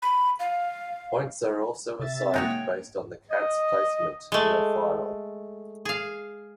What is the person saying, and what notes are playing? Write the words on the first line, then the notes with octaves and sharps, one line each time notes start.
Points are also assigned based on the cat's placement in a final.
B5
F5
C3 E5 A6
G#3 A#3 D#4 F#4 C#5 G5
D#5
G#3 A3
G#4 F5